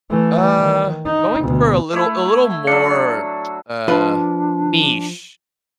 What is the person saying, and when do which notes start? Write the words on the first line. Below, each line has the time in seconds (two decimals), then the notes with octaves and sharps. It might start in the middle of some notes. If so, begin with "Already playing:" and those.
Uh, going for a little a little more, uh, niche.
0.10 E3 A3
0.58 D#3
1.05 D#4
1.40 D2 B2
1.93 A3 E4
2.67 F#3 D4 D5 F6 C#7
3.88 F3 D4 F4 B4